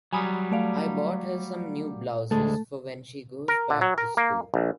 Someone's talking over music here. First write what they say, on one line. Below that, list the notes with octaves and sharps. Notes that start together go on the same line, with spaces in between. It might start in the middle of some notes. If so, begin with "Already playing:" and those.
I bought her some new blouses for when she goes back to school.
F#3 G3 G#5 B5 D#6
A3 D5 F5
D2 G#3 A3 A4
A#4
D3
F#3
A#4
A#3
A#1